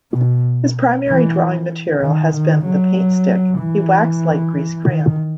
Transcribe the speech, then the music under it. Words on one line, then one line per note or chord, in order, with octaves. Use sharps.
His primary drawing material has been the paintstick, a wax-like grease crayon.
B2
E3
D#3
D#3
F#3
E3
D#3